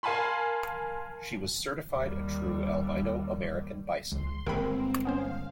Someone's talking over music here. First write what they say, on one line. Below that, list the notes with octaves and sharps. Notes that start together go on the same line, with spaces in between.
She was certified a true Albino American Bison.
A#4 F5 G#5 A5 B5 C6
D#2 G3
C#2 C6
G1 G#3 A#3 C4 A#4 G5 B5
B3 C#4 C5 F5